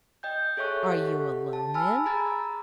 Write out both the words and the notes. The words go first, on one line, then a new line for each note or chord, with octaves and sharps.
'Are you alone, then?'
D#5 G5 G6
G#4 A4 C#5 E5 C#6 F#6
G4 A4 F#5
A5
G#5 A5 B5 E6 F6
G#4 A#5 B5 G#6 A6